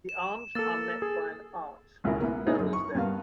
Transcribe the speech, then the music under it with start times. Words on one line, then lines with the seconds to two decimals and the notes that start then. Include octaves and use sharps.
The arms are met by an arch that mirrors them.
0.09 E7
0.55 A#3 A4 E6 A6
1.02 G#4
2.04 G#1 C#2 G#3 E4 A#4
2.22 A#3 B3 E4
2.47 A#3 D#4 E4 G#4 C#5
2.59 F#2
2.73 C#6
2.95 G2 A#3 B3 F5